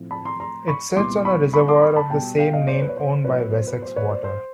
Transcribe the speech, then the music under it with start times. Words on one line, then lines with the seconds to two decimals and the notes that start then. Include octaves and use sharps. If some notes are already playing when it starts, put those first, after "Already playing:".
It sits on a reservoir of the same name owned by Wessex Water.
Already playing: A2 F3 A3 C4
0.11 A5 B5
0.25 A#5 C6
0.40 A#5 C6
0.68 B5 C#6
0.97 C2 A#2 G3 B3 C6 D6
1.25 B5 C#6
1.53 B5 C#6
1.68 C6 D6
1.82 B5 C#6
1.96 A5 B5
2.10 B2 G3 B3 G5 A5
2.39 F5 G5
2.53 D#5 F5
2.67 C5 D5
2.82 B4
2.89 C#5
2.97 C5
3.24 A2 F#3 B3 B4 C#5
3.53 C5
3.67 B4
3.82 C5
3.96 B4 C#5
4.10 C5 D5
4.24 C5